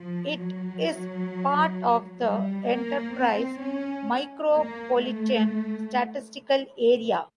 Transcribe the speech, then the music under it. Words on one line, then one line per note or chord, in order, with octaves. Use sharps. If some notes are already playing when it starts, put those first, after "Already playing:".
It is part of the Enterprise Micropolitan Statistical Area.
Already playing: F3
F#3
G3
A#3
C4
C#4
A#3
A3